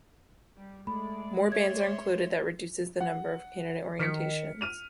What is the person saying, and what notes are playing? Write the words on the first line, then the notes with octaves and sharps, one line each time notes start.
More bands are included that reduces the number of candidate orientations.
G3
G#3 A3 D5 B5
C#5 E5 C6 G#6
F#5
D#3 F6 B6 C#7
F6 D#7 F7